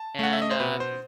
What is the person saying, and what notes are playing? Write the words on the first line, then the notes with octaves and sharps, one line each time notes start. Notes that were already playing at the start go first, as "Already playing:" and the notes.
and, uh, m
Already playing: A5
A3 F#5
E5
D#5
C5
B2 B4
C5